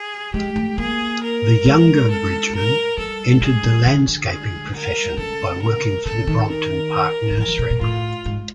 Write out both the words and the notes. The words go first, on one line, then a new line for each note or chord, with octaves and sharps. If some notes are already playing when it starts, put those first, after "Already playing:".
The younger Bridgeman entered the landscaping profession by working for the Brompton Park Nursery.
Already playing: G#4
G#3 G4
A3
A#3 G#4
A#4
G#3
A4
A#4
G3 A4
G#3
G3 G#4
G3
D3
D3
G#4
A#4
C#3 A4
A#4
C#3 A4
D#3
A#4
D#3
E3 A#4
E3
B2
A#2
A2 F4
G#2